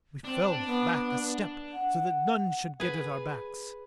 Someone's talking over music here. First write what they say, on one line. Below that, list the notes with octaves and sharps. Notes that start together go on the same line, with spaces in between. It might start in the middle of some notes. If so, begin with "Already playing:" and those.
We fell back a step so that none should get at our backs.
C4 D4
B3
F#5
G#4 B4